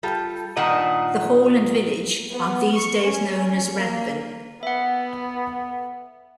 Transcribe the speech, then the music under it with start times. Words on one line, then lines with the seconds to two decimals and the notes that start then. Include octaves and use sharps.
The hall and village are these days known as Radbourne.
0.03 G3 F4 A4
0.57 G2 A#2 D#3 D#5 F#5
2.32 B3
2.74 C#6
3.04 C#4
3.75 A#3
4.63 B3 E5 F#5